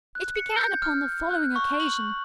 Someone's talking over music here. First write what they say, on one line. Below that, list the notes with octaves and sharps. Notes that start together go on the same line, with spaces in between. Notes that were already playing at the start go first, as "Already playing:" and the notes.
It began upon the following occasion.
F#6
C#7
G6
F6
F#6
C#6
F#7